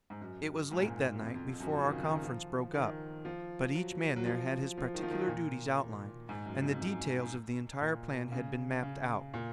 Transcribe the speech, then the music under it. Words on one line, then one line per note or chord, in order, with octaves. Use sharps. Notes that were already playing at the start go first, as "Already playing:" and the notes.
It was late that night before our conference broke up, but each man there had his particular duties outlined, and the details of the entire plan had been mapped out.
G#2
F#2
G#2
A#2
G#2
F2
F2
F2
F#2
F3
D#3
C#3
D#3
F3
D#3
F3
F#3
F#3
F3
F3
D#3
F3
D#3
A#2
G#2
F#2
F2
F#2
A#2
C#3
C#3
A#2